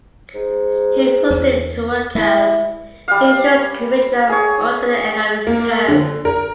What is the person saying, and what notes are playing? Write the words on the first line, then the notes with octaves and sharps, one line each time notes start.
He proceeded to work as Insurance Commissioner until the end of his term.
G#2
E2
G#3 E4
G3 F5
G#4 C#5
A#3
D3
A#4